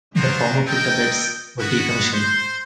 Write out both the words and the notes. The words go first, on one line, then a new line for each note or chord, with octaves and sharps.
The former filter beds were decommissioned.
D4 F4 F#4 G#4 A#4 C5
A4 A#4 D#5 G5
B3 F#4
C5